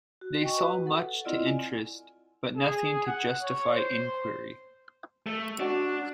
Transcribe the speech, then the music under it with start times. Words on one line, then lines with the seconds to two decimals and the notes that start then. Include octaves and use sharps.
They saw much to interest, but nothing to justify inquiry.
0.21 F#4
0.42 D#5 G5 G#5 C#6
0.57 F#4 B4
0.86 A4 F#5
1.25 C4 E4 F4 D5 D#5
1.46 G#5
2.57 G#4
3.07 F#5
3.41 C#5
3.74 C5
5.26 A3
5.60 D4 F#4